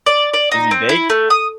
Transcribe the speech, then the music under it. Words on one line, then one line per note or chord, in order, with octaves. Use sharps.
is he big?
D5
D5
D#4
C4
E4
A3
D#6